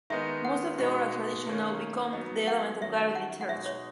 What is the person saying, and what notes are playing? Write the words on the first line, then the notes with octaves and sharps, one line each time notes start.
Most of the oral tradition now become the element of Garo literature.
D#3 G#3 B3 D#4 E5
F#5
B2 G#3 B3 D#4
D#3 A#3 C#4
F#3 B3 D#4 D#5
F#5
D#3 F#3 C#4 E5
F#5
F#5
B2 G#3 D#4 E5
C#5